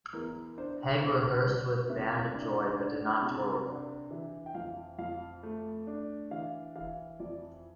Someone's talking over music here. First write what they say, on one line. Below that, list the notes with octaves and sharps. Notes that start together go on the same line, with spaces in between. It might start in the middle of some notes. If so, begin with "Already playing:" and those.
Pegg rehearsed with Band of Joy but did not tour with them.
E2 A#4
D4 C5
E2 C5
G3
C3 E5
D4
D4
C3
D4
E3
G5
F2 F5
F2 F5
A3
D4
E3 F5
E3 F5
F2 D5